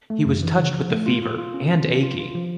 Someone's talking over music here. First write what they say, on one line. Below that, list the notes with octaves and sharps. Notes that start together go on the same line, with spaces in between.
He was touched with the fever and achy.
A3
F#2
E3
C#3
F3
A3
F4
F4
F4
C#4
F4
C#4
F4
F4
F3